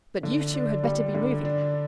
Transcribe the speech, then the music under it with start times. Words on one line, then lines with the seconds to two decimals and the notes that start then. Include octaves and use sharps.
But you two had better be moving.
0.23 D3
0.54 D4
0.84 G3
1.14 D3
1.45 D4